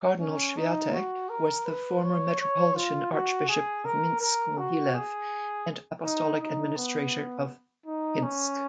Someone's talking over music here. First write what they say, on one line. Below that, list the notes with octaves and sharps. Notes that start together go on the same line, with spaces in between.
Cardinal Swiatek was the former Metropolitan Archbishop of Minsk-Mohilev, and Apostolic Administrator of Pinsk.
C#4
D#4
F#4
A#4
B4
C#5
C#5
F4
F#4
G#4
A#4
A#4
F#4
G#4
D#4
D#4
B3
D#4
C#4